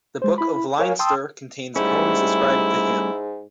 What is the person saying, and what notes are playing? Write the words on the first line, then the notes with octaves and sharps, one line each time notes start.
The Book of Leinster contains poems ascribed to him.
G#3 C5
E4 B5
A#4 C#5 F5 G#5
G5 A5 C6 D#6 E6
G#2 G3 A3 C#4 E4